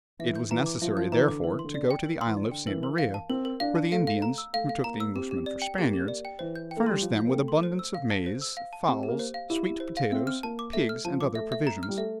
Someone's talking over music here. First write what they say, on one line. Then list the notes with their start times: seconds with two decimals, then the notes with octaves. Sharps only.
It was necessary therefore to go to the island of St. Maria, where the Indians, who took the Englishmen for Spaniards, furnished them with abundance of maize, fowls, sweet potatoes, pigs, and other provisions.
0.19 E3 E5
0.35 G6
0.51 E3 A#5
0.66 D6
0.82 F3 E5
0.97 F3 G6
1.12 E3 A#5
1.28 D3 D6
1.44 E3 A#4
1.59 C6
1.64 D3
1.74 D5
1.91 G5
2.06 A#4
2.21 C6
2.27 E3
2.37 D5
2.47 D3 G5
2.67 E3 A#4
2.83 A#4
2.98 F5
3.14 A5
3.29 C4 A#4
3.45 A#4
3.60 D4 F5
3.75 A5
3.91 A3 F5
4.07 F5
4.22 A#5
4.38 E6
4.53 A3 F5
4.69 F5
4.84 A#3 A#5
5.00 E6
5.15 C4 G4
5.31 G4
5.46 D5
5.62 G5
5.78 A#3 G4
5.93 G4
6.08 D5
6.25 G5
6.39 E3 C5
6.56 G6
6.71 G5
6.77 A3
6.86 G3 C6
7.02 F3 C5
7.18 G6
7.27 A#3
7.32 A3 G5
7.48 C6
7.63 C5
7.79 E6
7.95 F5
8.10 A5
8.26 C5
8.41 E6
8.57 F5
8.73 A5
8.88 C4 G4
9.03 G4
9.08 A#3
9.19 C5
9.34 F5
9.50 E4 G4
9.66 G4
9.80 C5
9.97 F5
10.12 C4 E5
10.27 F6
10.43 A#3 A5
10.59 D6
10.73 A3 E5
10.89 F6
11.05 F3 A5
11.20 D6
11.35 A3 E5
11.52 E5
11.67 A#5
11.83 F6
11.89 G3
11.98 A3 E5